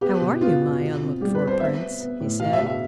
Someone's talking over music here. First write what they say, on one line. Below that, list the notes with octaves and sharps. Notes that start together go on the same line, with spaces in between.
'How are you my unlooked-for Prince?' he said.
B3 G4
B2
B3 F4
B2
B2
C4
G3 G4
B4
C4
C5
B3 E5
B3
B3
A2
B2 F5
E5
B2
E5